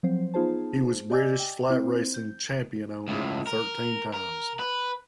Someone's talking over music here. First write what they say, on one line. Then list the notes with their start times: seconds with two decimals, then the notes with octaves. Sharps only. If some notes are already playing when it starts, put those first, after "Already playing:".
He was British flat racing Champion Owner thirteen times.
0.03 F3 F#3 C4 C5
0.34 B3 D#4 F4 G#4 C5 A5
1.10 G4 D5 D#5 G#5 D6 E6
1.40 G5
1.69 C4 E4 C5
2.14 G6
3.08 C#2 A2
3.47 A#4
4.14 A#4
4.59 B4